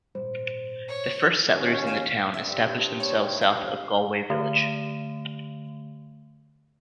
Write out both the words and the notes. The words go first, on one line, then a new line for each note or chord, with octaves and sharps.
The first settlers in the town established themselves south of Galway village.
G#1 A#2 G3 C5
C#5
D#2 C#4
F5
G2 C4 E5
C#5
F5
D3 A3